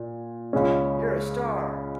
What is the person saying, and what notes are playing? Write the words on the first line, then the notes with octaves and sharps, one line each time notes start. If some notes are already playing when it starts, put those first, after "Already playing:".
You're a Star!.
Already playing: A#2
C#2 C#3 G#3 C#4